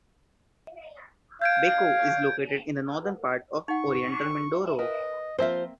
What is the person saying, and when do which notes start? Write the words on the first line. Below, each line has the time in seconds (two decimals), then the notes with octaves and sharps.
Baco is located in the northern part of Oriental Mindoro.
1.42 F5 G6 G#6 D7
3.68 D#4 F#5 C#6
4.79 A#4 B4 D#5
5.38 F3 A#3 C4 F4 C5 E5